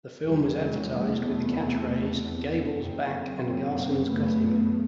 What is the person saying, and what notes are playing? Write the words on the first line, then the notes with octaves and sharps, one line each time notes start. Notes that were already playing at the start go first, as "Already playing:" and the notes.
The film was advertised with the catch-phrase Gable's back and Garson's got him!
E2 C3 F3 G3
F#3 G#3
G3 A3
A3 B3
F#2 C#3 A#3 C4
A#3 C4
A#3 C4
A3 B3